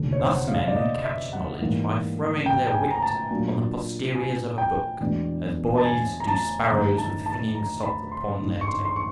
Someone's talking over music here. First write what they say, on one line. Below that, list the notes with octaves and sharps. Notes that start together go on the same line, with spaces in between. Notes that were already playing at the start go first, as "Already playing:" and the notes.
Thus men catch knowledge by throwing their wit on the posteriors of a book, as boys do sparrows with flinging salt upon their tails.
Already playing: F1 D#2 D3
C#5
C5
F#5
F5
D5
D#5
E5
F#5
G#2 E3 G3 A#3
G5
G5
G#5
A#5
A5
A#2 F#3 A#3 D4 F4
G#5
G5
E2 B2 G#3 B3 D4
A5
G#5
A#5
A5
G2 D#3 G3 A#5
A5
A5
A#5
B5
C6
G#1 G2 D#3
C#6
C6
C6
C#6